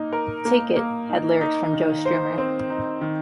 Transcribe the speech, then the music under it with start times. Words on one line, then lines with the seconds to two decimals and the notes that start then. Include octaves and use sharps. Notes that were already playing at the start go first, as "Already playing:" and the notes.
"Take It" had lyrics from Joe Strummer.
Already playing: A#3 D#4
0.13 A#4
0.45 A#3
0.76 A#3
1.09 D#4
1.41 D#4
1.73 D#3
2.06 C5
2.38 C4
2.70 D#4
3.01 D#3